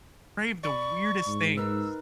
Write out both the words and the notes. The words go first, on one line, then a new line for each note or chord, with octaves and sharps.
crave the weirdest things,
D5 B5 C#6
G#2
D#4 A#4 B4 E6